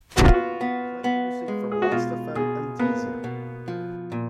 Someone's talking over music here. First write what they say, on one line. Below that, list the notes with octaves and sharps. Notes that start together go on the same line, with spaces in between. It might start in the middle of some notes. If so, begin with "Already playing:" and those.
Play music from Lastfm and Deezer.
B3 F#4
F4
F#4
B3
B3
G#3
G#4
F#4
B2 F4
B2 G#4
A#3 B3
B2
F3
A#2